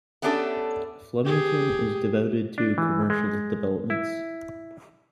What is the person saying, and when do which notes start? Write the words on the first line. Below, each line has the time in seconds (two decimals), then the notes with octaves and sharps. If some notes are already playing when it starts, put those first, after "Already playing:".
Flemington is devoted to commercial developments.
0.22 A3 B3 C#4 D4 G4 A4
1.25 G4 G#4
2.58 D4
2.78 E3
3.10 G#3
3.90 E4